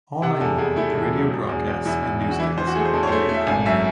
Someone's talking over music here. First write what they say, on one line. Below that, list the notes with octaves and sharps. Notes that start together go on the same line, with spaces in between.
All night long, the radio broadcasts a newscast every hour.
C3 F#5
E2 A4
E2 G#4
A3 E4
E2
F#3
E1
E2
E2
E2 E4
E2
E2
F#4
E3 E4
E3 C5
F#4
A3 G#4
C5
E2 A4
C#5
C5
A3
C#5
A3
E5
G#1 G#5
F#2 E5